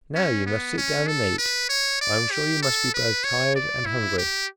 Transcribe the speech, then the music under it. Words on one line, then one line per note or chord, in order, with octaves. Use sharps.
"Now, you must sit down and eat; I am sure you must be both tired and hungry."
C#4
B3
C#4
A4
B4
C#5
D5
G4
A4
B4
C#5
D5
E4
G4